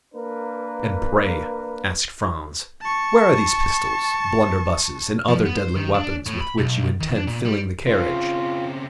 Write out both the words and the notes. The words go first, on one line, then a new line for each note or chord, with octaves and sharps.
"And pray," asked Franz, "where are these pistols, blunderbusses, and other deadly weapons with which you intend filling the carriage?"
A#3 D4 A#4 B4
A5 C#6
F3
B3
C5
D#3
D4
A2
B5
B1
D#3
D4
A#2
G3
C#3 C4 F4